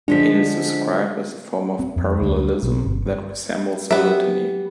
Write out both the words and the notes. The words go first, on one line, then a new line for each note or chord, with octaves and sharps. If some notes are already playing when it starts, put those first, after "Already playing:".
It is described as a form of parallelism that resembles a litany.
D3 F3 G#3 D4 B6
C4
F2
D2
B1
G1
F#3 B3 G4 E5